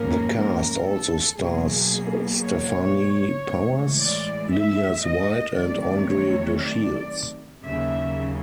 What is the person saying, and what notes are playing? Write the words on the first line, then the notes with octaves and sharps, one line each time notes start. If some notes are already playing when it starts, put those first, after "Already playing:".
The cast also stars Stefanie Powers, Lillias White and Andre DeShields.
Already playing: G#2 F3 A#3 C#4 A#4
A#4
A4
B2 F#3 A#3 G#4
C#5
A2 E3 G#3
D5
E5
D#5
C3 D#3 F#3 A3 D5
C#5
D5
D#2 C#3 F#3 A#3 E5